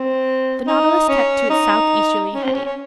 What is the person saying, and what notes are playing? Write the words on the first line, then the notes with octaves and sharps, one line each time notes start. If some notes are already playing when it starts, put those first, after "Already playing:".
The Nautilus kept to its southeasterly heading.
Already playing: C4
D#4
C#4
D#4
C#4
C4
C#4
C#4